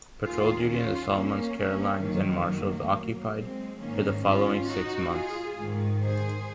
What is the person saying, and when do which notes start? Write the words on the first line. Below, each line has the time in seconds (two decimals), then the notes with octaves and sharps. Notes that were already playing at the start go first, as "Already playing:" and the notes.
Patrol duty in the Solomons, Carolines, and Marshalls occupied her the following six months.
0.23 D#2 D#3 F4 G#4
0.67 C#4 F4
1.12 A#3 C#4
1.57 A#3 C#4
2.01 F#2 D#3 F#3 A#3
3.34 G#3 C4
3.79 G#2 D#3 A#3 C#4
4.24 C#4 F4
4.68 D#4 F#4
5.12 F4 G#4
5.57 G#2 D#3
6.02 G#4 C5